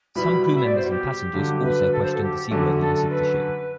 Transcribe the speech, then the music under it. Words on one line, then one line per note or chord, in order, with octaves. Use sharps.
Some crew members and passengers also questioned the seaworthiness of the ship.
B2 G3 B3 E4 B5
B5
E5
D5
C5
F#4
G4
G2 D3 F#3
B4
A4
C5
A4
G4
F#2 D3 A3 G4
A4
A4
B4